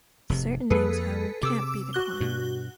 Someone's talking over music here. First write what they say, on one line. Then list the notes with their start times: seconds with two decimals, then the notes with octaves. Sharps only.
Certain names, however, can’t be declined.
0.30 F1 G#2 C3
0.70 F2 A#3 G#4 A4 B4
1.43 C3 D6 E6
1.93 F#4 F#6 G7
2.20 G2 B2